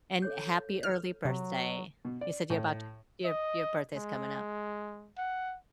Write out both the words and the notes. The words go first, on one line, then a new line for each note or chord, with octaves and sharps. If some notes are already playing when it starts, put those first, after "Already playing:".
And happy early birthday. You said you're about t your your birthday's coming up.
A4 C#5 G6
F6
C3 F#3
B2
D5
A2
D#5
G#3
F#5